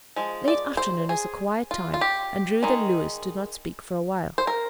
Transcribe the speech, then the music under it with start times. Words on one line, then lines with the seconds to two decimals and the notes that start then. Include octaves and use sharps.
Late afternoon is a quiet time, and Ruth and Louis did not speak for a while.
0.16 F3 G#3
0.48 D5
0.77 C5
1.09 G#4
1.71 F4
1.94 F4
2.01 G4
2.63 D#3 G#3
4.38 C5
4.47 A#4